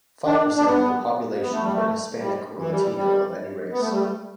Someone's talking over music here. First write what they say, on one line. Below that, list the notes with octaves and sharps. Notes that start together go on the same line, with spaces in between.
Five percent of the population were Hispanic or Latino of any race.
D4
D4
B3
B3
A3
G3
A3
G3
E3
G3
E3
G3
B3
A3
G3
A3